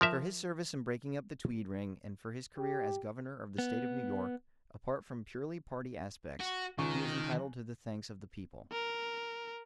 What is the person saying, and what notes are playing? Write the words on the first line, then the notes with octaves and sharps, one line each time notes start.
For his service in breaking up the Tweed ring, and for his career as Governor of the State of New York, apart from purely party aspects, he is entitled to the thanks of the people.
F3 A#4 E5
G4
B3
F#4
C#2 D#3 C#6
A#4